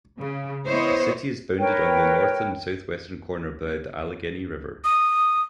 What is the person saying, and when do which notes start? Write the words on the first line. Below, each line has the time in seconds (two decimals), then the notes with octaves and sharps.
The city is bounded on the north and southwestern corner by the Allegheny River.
0.18 C#3
0.67 B3 E4 C5 C#5 D#5
1.58 A#4 B4 C#5 G5
4.84 D#6